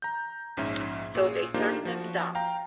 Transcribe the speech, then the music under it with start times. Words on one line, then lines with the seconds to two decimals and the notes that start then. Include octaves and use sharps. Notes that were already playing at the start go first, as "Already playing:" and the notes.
So they turned them down.
0.02 A#5 G6
0.57 A#1 G#2 C#4 E5
1.15 A#2 G#4
1.54 A#3 D4 D#4 F4 G4 C5
1.85 F3 F#4
2.35 F5 G5 A#5